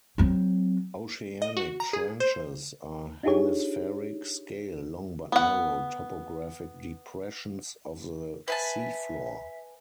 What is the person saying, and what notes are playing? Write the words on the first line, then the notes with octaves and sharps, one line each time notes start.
Oceanic trenches are hemispheric-scale long but narrow topographic depressions of the sea floor.
F#3 C4
D#5
F#4
A#5
G#4
C5
D4 D#4 F4 G4 G#4 C#5
B3 F#5
B4 E5 G#5 A5